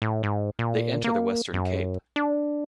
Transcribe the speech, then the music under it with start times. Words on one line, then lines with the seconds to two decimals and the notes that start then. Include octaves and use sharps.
They enter the Western Cape.
0.02 A2
0.23 G#2
0.59 A#2
1.04 A#3
1.54 F#2
2.16 D4